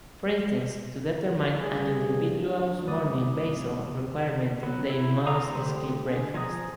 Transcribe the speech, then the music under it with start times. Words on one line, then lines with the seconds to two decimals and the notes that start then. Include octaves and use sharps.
For instance, to determine an individual's morning basal requirement, they must skip breakfast.
1.56 D2 G2 G#4
2.87 D2 G2 B4 D5 D#6
4.63 F#3 B3
4.90 E4
5.27 D5 F5 A#5 D#6
5.45 D3 A3 G4 C5
6.07 G#4
6.34 F3 G#5 A#5 D#6